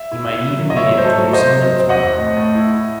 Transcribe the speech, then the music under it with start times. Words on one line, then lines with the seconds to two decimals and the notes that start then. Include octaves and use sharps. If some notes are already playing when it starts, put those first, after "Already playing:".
He might even be able to leave some notes behind.
Already playing: E5
0.12 E4
0.31 E4
0.50 F#3
0.69 E4 D#5
0.77 C#5 E5
0.87 F#3
0.98 C5
1.05 F#3 A4 C#5
1.24 F#3
1.33 C5 D#5
1.43 F#3
1.61 F#3
1.80 C4
1.89 D#5 F#5
1.98 C4
2.18 A2
2.37 A2
2.55 E4
2.73 E4